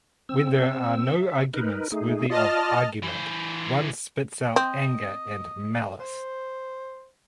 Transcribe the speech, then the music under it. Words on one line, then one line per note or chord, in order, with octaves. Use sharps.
When there are no arguments worthy of argument one spits out anger and malice.
C4 E6
E5
D#4 A#4 B4
A3 D#4 G#4
F4 D5 D#5 A5 F6
E3 C5
C4 D#5
C5